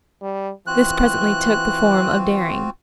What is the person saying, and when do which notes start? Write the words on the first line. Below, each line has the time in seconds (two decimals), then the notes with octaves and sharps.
This presently took the form of "daring."
0.22 G3
0.67 E3 C4 F4 F#4 F#6